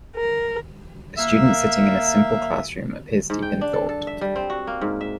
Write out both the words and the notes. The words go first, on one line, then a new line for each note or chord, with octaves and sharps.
A student sitting in a simple classroom appears deep in thought.
A#4
A#3 E5
G#2
G5
D4
A4
A4
E5
G3
C4
F#4
A#3
G#2
E5